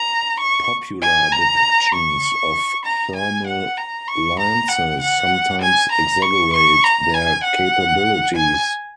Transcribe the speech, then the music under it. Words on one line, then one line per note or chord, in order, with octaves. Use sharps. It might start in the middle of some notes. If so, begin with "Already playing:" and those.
Popular depictions of thermal lances sometimes exaggerate their capabilities.
Already playing: A#5
C#6
G#5
A#5
C#6
A#5
G#5
F#5
A#5
C#6
A#5
F#5
F#5
G#5
A#5
C#6
C#6
A#5
G#5
F#5
G#5